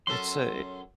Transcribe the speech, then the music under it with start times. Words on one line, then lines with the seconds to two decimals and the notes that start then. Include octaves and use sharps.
it's a
0.07 F#2 C#4 A4 C6